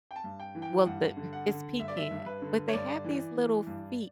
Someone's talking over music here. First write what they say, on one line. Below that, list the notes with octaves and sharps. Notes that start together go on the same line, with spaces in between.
Well, the it's Pecan, but they have these little feet
G5
A5
G2
G5
E3
G5
G2 F#5
D3
F#5
D3
G2 E5
D5
E5
G2
B4
D3
C#5
G2 D5
E3
E3
G2